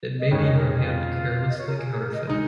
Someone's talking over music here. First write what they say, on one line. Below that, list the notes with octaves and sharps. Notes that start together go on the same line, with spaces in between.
It may be her hand carelessly counterfeited.
D#5
F2 D#3 G#3 C#4 C#5
D#5
A#4
G#4
F4
D#5
C#5
A#4
G#4
G#4
A#4
D#5
G#3 D#4 D#5